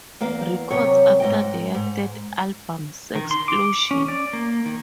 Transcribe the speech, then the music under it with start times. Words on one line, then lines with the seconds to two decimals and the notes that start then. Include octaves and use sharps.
Records after their third album, Sexplosion!
0.21 E2 A#3 F5
0.70 F#2 C3 C#5
1.20 G#2 D#5 G5
1.74 G#2
3.15 D#3
3.31 C6
3.48 D6
3.91 C#4
4.08 D5
4.33 A#3
4.66 D#3